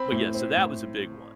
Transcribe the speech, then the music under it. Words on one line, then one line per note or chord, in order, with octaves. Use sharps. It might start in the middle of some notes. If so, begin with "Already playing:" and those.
but yeah, so that was a big one.
Already playing: C4 B5
A2
C4
A2